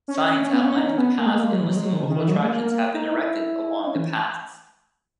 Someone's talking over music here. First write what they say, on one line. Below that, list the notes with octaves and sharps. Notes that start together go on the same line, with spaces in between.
Signs outlining the path and listing local attractions have been erected along the paths.
C#4
C#4
B3
C#4
D#4
C#4
B3
A#3
G#3
A#3
G#3
F#3
E3
F#3
G#3
F#3
D#3
C#3
D#3
E3
F#3
G#3
A#3
A#3
D#4
E4
D#4
C#4
E3